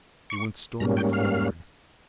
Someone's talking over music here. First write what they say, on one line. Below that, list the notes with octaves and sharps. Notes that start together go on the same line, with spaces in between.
He went stonily forward.
C#6
G#2 G3 A#3 C#4 A#5
G5
F5